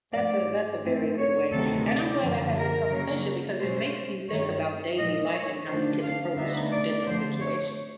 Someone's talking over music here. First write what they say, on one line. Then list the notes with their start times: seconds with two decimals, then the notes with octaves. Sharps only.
that's a that's a very good way. And I'm glad I had this conversation because it makes you think about daily life and how you can approach different situations.
0.13 G#2 F3 A3 D5
0.82 G#2 F3 A3 C4
1.17 C#5
1.51 D2 C3 D#3 F#3 B3 A4
1.86 D5
2.20 F#2 D3 F3 A#3
2.56 A#4
2.89 C#3 F#3 A#3
3.59 B2 G#3 C#4 C5
4.28 G2 D#3 G3 C#5
4.98 A#2 F3 G#3 D#5
5.32 C#5
5.67 D3 F3 A3 D4 C5
6.02 F5
6.36 D2 D3 G3 B3 D#4 E5
6.71 D5
7.05 D3 F3 A3 C5
7.40 C#5